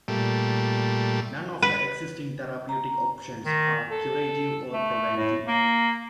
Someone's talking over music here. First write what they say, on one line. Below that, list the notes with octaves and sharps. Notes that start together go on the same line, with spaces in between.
None of the existing therapeutic options are curative or preventive.
A#2 G3 A3
B4
A#5
D#3
A4
A3
A2
A#3